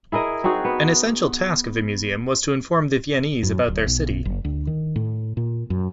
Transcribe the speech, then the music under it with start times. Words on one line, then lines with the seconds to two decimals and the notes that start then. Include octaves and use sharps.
An essential task of the museum was to inform the Viennese about their city.
0.12 E4 G#4 A#4 D#5
0.44 C4 D#4 F#4 G#4
0.65 B3
3.43 F#2
3.68 D1
3.87 B1
4.25 F#1
4.45 D2
4.67 D#3
4.96 A2
5.37 A#2
5.70 F#2